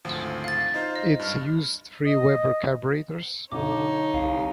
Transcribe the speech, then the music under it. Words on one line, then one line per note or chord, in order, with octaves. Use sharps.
It used three Weber carburetors.
G#1 D2 F3
F5 A6
D#4 F4 C5
D#5
G2 D4 F6
D#5
B1 D3 D#4 C#5 D6
C2 F5